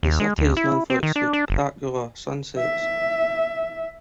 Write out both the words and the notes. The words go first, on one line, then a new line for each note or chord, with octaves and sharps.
The city is known for its spectacular sunsets.
D#2
G#3
D2
E4
C4
D#3
D4
D4
F#1
E5